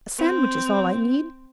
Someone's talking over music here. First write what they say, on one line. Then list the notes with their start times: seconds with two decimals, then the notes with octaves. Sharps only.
A sandwich is all I need.
0.18 C4